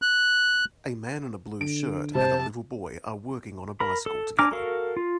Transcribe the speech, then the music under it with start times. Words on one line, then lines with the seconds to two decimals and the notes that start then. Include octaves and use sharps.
A man in a blue shirt and a little boy are working on a bicycle together.
0.02 F#6
1.61 D3 D7
2.15 C3 C5 A5
3.80 A#4 B5
4.06 A4
4.39 D4 G#5 A#5 D6 F6
4.52 F#4 A4 A#4 F5
4.97 F4